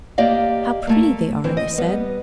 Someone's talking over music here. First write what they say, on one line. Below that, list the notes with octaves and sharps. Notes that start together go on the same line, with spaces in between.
"How pretty they are!" they said.
A#3 G4 D5 D#5 F5
A3 A#3
E3 C4
D#5
G3 B3